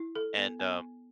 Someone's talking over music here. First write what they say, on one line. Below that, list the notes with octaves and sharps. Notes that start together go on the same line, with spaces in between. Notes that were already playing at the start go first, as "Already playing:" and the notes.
and, um
Already playing: E4
A4
B3
B3